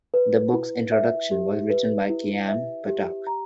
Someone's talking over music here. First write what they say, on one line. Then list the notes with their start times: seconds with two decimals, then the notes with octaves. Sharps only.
The book's introduction was written by Chaim Potok.
0.14 B4
0.53 E4
0.92 E5
1.31 G4
1.70 B4
2.10 E4
2.48 E5
2.88 G4
3.27 A#5